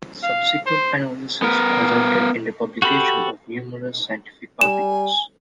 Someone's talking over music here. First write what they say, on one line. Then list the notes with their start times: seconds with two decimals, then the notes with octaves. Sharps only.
Subsequent analysis resulted in the publication of numerous scientific articles.
0.23 F5
0.66 C5
1.42 B3 A#4
2.82 F#4 G4 A4 B5
4.61 G3 G#5 E7